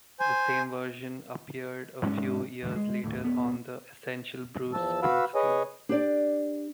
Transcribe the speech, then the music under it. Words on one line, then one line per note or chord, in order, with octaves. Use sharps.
The same version appeared a few years later on "The Essential Bruce Springsteen".
C5 G#5
G#2 G#3 C#4
E1 A1 D2 G2
G#3
A#1 D#2 A2
D1 B3
E2 F3 A5 E6
F#4 B4 F5 B5 E6
G#4 B4 C#5 D#5 G#5
D4 G4 D5